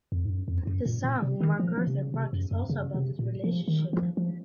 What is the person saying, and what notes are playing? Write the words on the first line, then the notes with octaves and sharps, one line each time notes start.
The song MacArthur Park is also about that relationship.
F2
G#2
F#2
F2
F#2
A#2
A#2
C3
D#3
F3
F3
C3
C#3
C3
F#2
F#2
C#3
C3
A#2
F3
D#3
F3
F3